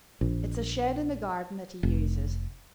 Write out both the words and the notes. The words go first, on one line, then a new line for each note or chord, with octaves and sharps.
It's a shed in the garden that he uses.
A#1
F1